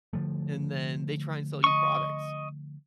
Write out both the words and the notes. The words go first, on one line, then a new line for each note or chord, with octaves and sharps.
and then they try and sell you products.
D3 F3 A3
D#5 C#6